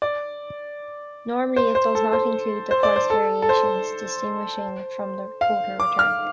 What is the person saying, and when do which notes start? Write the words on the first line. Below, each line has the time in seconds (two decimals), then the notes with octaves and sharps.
Normally, it does not include the price variations, distinguishing it from the total return.
0.02 D5
1.56 C5
1.75 C5
1.95 A4
2.13 C5
2.71 C5
2.83 D5
2.96 C5
3.10 A4
3.42 A4
3.49 C5
5.41 F5
5.80 D6
5.99 F6